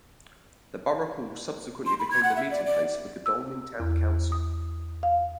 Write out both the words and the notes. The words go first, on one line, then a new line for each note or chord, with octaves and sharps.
The borough hall subsequently became the meeting place for Godalming Town Council.
C6
B5
G#6
F#5
E5
D5
D5
E6
E2
D#6
F5